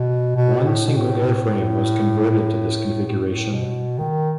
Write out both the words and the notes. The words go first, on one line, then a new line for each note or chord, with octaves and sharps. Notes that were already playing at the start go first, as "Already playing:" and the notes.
One single airframe was converted to this configuration.
Already playing: B2
B2
A2
B2
A2
A2
A2
A2
B2
D#3